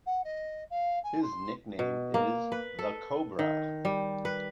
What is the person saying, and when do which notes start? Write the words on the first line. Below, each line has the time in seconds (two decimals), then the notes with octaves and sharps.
His nickname is The Cobra.
0.06 F#5
0.24 D#5
0.70 F5
1.03 G#5
1.22 C6
1.79 B2
2.14 A#3
2.52 B4
2.79 A4
3.39 D#3
3.85 G3
4.25 B4